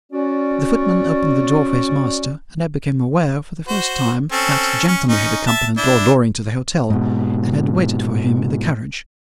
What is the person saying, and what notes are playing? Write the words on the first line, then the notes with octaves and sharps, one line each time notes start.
The footman opened the door for his master, and I became aware, for the first time, that a gentleman had accompanied Lord Loring to the hotel, and had waited for him in the carriage.
C#4 F#4 D5
F#4 C5
C4 C#4 A4
C#4
C#4 D#4
E5 A5
D4 E4
G#2 B2